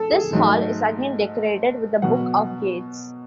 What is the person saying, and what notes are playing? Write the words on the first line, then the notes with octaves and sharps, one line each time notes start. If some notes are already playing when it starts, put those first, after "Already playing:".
This hall is again decorated with the Book of Gates.
Already playing: A4
G#4
G#2 F#3 A3
B2 F#3 B3 F#5